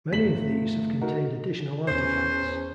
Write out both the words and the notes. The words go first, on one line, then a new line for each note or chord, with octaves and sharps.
Many of these have contained additional artifacts.
G1 A3 B6 F#7
D#4 F#4 A#4
E2 C#4 C5